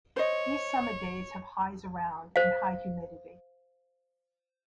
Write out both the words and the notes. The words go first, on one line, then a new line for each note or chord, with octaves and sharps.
These summer days have highs around and high humidity.
C5 C#5 D#5
C5 F5